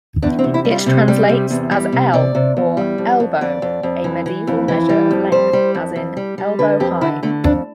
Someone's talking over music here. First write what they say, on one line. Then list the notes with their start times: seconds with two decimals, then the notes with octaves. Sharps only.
It translates as "ell" or "elbow", a medieval measure of length, as in "elbow-high".
0.22 E2 D4
0.39 C4
0.44 C3
0.54 E4
0.65 G3
0.71 F4
0.86 C3
1.08 G3
1.29 C3
1.50 E2
1.71 G3
1.92 C3
2.13 C3 D5
2.35 C3
2.57 E2
2.77 G3
2.98 F2
3.20 F2
3.41 F2 D5
3.62 F2
3.83 F2
4.04 E3
4.26 E3
4.47 F2
4.68 E3
4.89 G3
5.11 F2
5.32 G3 C5
5.53 G3
5.75 F2
5.96 F2
6.17 G3
6.38 G3
6.59 D3 B4
6.80 F2 G4
7.01 D3 E4
7.23 D3 A3
7.44 F2 D4